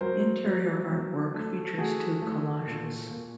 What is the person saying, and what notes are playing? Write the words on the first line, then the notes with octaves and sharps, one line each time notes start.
Interior artwork features two collages.
F#3 A#4 C5
F#3
F#3
A3
A3 F#4 G#4
A3
A#2
A#2